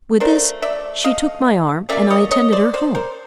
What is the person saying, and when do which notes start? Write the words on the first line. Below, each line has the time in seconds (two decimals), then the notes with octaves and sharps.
With this, she took my arm, and I attended her home.
0.20 F3 A3 D4 A#4 C5
0.62 D5 E5
1.04 D#5 F5
1.89 F#3 A#3 C#4 D5 E5
2.10 C#5 D#5
2.31 C#5 D#5
2.52 C5 D5
2.73 C5 D5
2.95 A#4 C5